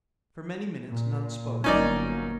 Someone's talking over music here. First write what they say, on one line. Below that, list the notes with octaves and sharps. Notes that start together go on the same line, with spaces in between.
For many minutes none spoke.
A#2
G1 F#3 A#3 C#4 D#4 D5